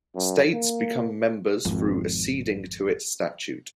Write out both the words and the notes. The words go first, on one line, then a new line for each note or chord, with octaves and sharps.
States become members through acceding to its statute.
F#2
A#3
G#1 F2